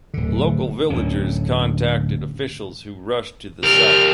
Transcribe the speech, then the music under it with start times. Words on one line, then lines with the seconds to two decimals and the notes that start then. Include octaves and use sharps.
Local villagers contacted officials who rushed to the site.
0.14 D1 D3
0.90 D1 D2 C#4
3.63 G4 A#4 F6